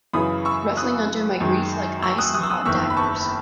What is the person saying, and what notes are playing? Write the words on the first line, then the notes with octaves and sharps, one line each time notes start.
Ruffling under my grief like ice and hot daggers.
F#2 C#3 E3 B5 D#6
C#6 E6
D#6 F#6
F#2 D#3 G#3
C#6 E6
D#6 F#6
D#6 F#6
E6
D#6 F#6
F#1 E2 D#3 C#6 E6
B5
A5 C#6